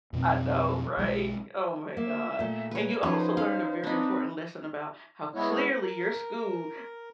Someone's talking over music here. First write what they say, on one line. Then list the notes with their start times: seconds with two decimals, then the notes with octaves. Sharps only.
I know, right? Oh my god. And you also learned a very important lesson about how clearly your school
0.13 F2 B2 C4
0.97 B1 G3 G#3
1.97 A#3 E5
2.39 A#2 A3
2.71 B4 C#5
3.03 F3 C#4 D#4 F#4 B4 C5
3.37 C#4 F5
3.84 C4 D4 D#4 B4
5.35 G#3 B3 E4 C#5
5.83 A#4